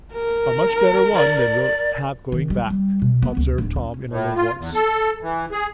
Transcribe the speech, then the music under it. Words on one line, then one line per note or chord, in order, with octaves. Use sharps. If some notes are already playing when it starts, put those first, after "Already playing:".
"A much better one than we'll have going back," observed Tom, in a low voice.
A#4
D5
D#3
G3
G3
B2
B3
C#2
D1
C#4
A2
F4
E2
A4
E3
G#4